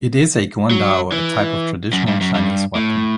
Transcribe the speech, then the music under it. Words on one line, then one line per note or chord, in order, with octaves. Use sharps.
It is a guandao, a type of traditional Chinese weapon.
F#3
E3
F#2
G2
F#2
G2
A2